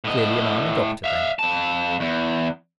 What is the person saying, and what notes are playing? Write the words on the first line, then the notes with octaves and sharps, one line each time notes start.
Clearly an army doctor, then.
A2 D#5
E5 F5
F2 A5
E2